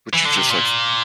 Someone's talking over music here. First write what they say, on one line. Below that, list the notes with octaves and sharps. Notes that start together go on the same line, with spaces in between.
would you just, like,
E3
D3
C3
A#2